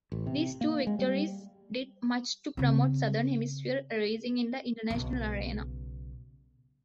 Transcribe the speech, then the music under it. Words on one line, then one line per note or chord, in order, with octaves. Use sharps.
These two victories did much to promote Southern Hemisphere racing in the international arena.
A1
C3
A#3
G#3
G3
C#3 C4
B1 C#3